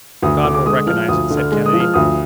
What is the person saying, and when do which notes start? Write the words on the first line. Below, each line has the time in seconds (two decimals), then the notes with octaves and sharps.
"God will recognize it!" said Kennedy.
0.22 D2 D#6
0.43 D3 D6
0.54 D6
0.66 G#3 D#6
0.86 F3 F6
1.08 D2 D#6
1.30 D3
1.37 F6
1.52 G#3
1.66 D#6
1.73 F3
1.80 F6
1.94 D2 D#6